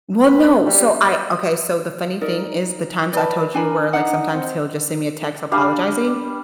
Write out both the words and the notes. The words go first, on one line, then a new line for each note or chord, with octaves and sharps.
Well, no, so I Okay, so the funny thing is the times I told you where like, sometimes he'll just send me a text apologizing?
B4
G3
D#4 A#4 D5
B4 D5 A5
D4 A#4 G#5 B5
D4 D#4 F#5
C4
G3 D4 F5